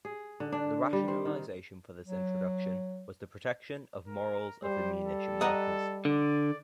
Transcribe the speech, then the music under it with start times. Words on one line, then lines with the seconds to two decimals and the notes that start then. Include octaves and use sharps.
The rationalisation for this introduction was the protection of morals of the munition workers.
0.05 G#4
0.40 D3
0.52 D4
0.93 G3
1.08 C4
1.25 D#3
2.05 F#3
4.08 A#4
4.64 G3 C5
5.06 A4
5.41 D#5 F#5 A#5
6.05 D3 D5